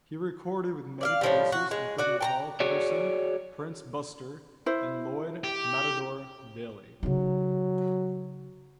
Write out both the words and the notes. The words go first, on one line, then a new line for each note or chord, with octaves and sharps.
He recorded with many producers, including Karl Pitterson, Prince Buster, and Lloyd "Matador" Daley.
D5 E5 F5
A2 F3 G3
F#4
G#3
F#4 D5
G5 A5 A#5
F#4 G#4 C#5 D5
E4 C5
G4
C#3 F#3 D#4